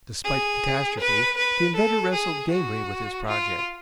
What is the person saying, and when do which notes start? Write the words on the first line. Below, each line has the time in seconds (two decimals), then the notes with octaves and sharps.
Despite catastrophe the inventor wrestled gamely with his project.
0.24 G#4
1.00 B4
1.37 B4
1.76 A4
2.13 G#4
2.51 F#4
3.27 F4